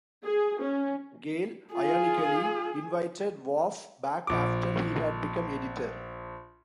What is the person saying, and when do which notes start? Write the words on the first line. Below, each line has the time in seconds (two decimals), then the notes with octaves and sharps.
Gale, ironically, invited Waugh back after he had become editor.
0.24 G#4
0.62 C#4
1.73 F4 G#4
4.27 A#1 D6